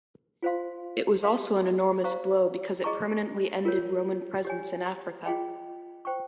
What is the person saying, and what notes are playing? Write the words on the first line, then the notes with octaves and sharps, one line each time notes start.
It was also an enormous blow because it permanently ended Roman presence in Africa.
F4 C5 F5 C6
G4 A#4 F5 C6
C5 F5 A#5 C#6
G#4 D#5 A#5 C#6
F4 A#4 C#5
G4 C#5 G#5
F4 G#4 D#5 G5
C5 G5 C#6